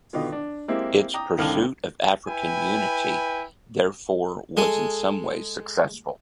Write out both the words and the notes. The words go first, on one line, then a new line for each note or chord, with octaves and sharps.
Its pursuit of African unity, therefore, was in some ways successful.
B2 D3 D#3 B3 F4
D4
G#3 A#3 C4 E4 G4
G5 A#5 D6 D#6
C2 D3 D#3 F5 A5 F6
E4 B4 G5 G#5
G#3 A4 G#5